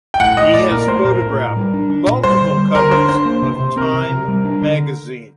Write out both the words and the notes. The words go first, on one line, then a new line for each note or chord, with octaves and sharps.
He has photographed multiple covers of "Time" magazine.
G5
A2 F#5
A2 D#5
A2 D5
A#2 A#4
A3 C5
A#2 A#4
A2
A2
G3
D4
D4
A#2
G3 C5
D3
G3
D3 A#4
D4 C5
D4 C5
A#3
C3
C3
C4 A#4
C3
C3
G3
D4
D3